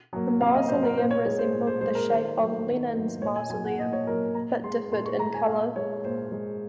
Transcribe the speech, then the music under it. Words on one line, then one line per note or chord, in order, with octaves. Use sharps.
The mausoleum resembled the shape of Lenin's Mausoleum but differed in color.
F#3 A#3
C3 F5
D#5
F#3 A#3 C5
A#4
A#2 C5
C#5
G#3 C#5
C5
A#2
C5
G#3 C5
A#4
D#3 C5
F#3 A#3
D#3
F#3 A#3
A#2 C#5
G#5
F#3 A#3 G#5
F#5
A#2 D#5
C#5
F#3 A#3 A#4
A#2 A#5
G#3 C6
A#2 C6
C#6
G#3 A#5
G#5
A#2 F5
G#3 C#5
A#2 C5
G#3